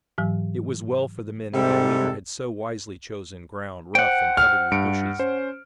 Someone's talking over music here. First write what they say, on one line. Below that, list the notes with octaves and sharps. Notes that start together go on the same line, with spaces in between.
It was well for the men that their leader had so wisely chosen ground rough and covered with bushes.
G#2 E3 F#3
G#2 C3 G3 A4 E5
C5 F#5 G5
F6
G2 C#7 D7
C#4 C5